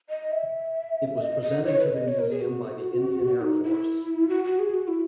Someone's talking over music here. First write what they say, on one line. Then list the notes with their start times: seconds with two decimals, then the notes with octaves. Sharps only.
It was presented to the museum by the Indian Air Force.
0.09 D#5
0.32 E5
1.21 D#5
1.42 D#5
1.65 C#5
1.79 B4
1.93 D#5
2.08 C#5
2.19 A#4
2.30 G#4
2.41 F#4
3.41 D#4
3.64 E4
4.29 F#4
4.45 F#4
4.59 G#4
4.74 F#4
4.88 E4